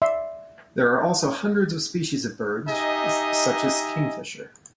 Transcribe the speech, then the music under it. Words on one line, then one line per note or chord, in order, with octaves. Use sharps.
There are also hundreds of species of birds such as Kingfisher.
D5 E5 C6
D#4 G4 D#5 E5 G#5 A#5